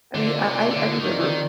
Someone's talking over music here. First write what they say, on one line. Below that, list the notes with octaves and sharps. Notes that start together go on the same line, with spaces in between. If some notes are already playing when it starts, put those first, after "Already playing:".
I mean, I I I remember
D3 F3 C4 D#4 A#4 D5
C3
D3
D#3 F3 C4 D#4 A#4 D5
D#3